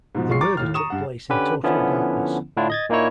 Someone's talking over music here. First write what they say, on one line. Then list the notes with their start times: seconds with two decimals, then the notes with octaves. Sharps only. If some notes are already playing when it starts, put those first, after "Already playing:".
The murder took place in total darkness.
0.15 G#2 B2 F3
0.29 B1 G#3 F4 C#6 C7
0.41 A#5 C#6 D6 A6
0.57 D#2 A2 F6
0.74 A#5 C#6 D#6 E7
0.90 G2 F#5
1.30 D3 C#4 G4 B4
1.64 D3 F3 B3 C#4 E4
2.57 A2 D3 D4 E4 F4
2.70 D#5 G#6 A6
2.89 A#2 A#3 D#4 E4 C#5